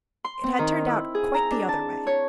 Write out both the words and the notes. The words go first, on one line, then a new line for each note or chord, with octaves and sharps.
It had turned out quite the other way.
C6
C4
D#3
E4
G#4
A#5
D4
A5
C#5